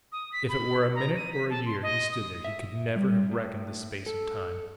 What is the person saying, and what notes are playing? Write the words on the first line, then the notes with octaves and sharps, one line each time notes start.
If it were a minute or a year he stood there he could never have reckoned the space of time.
D#6
B6
B5
A#5
D#7
B6
A5
C6
D#5
D#6
E5
G3
A2
A4